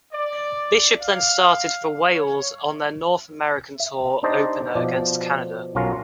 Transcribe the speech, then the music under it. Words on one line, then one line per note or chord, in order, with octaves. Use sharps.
Bishop then started for Wales on their North America tour opener against Canada.
D5
F5
C#5
E5
D4 D#4 G4 C5 D5 D#5
B2 F3 D5
B1 F#3 C#4 F4 A#4 F5